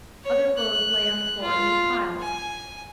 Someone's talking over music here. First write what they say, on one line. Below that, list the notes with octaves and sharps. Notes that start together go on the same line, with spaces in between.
Other clothes lay on the floor in neat piles.
C#5
F#6
F4
G#5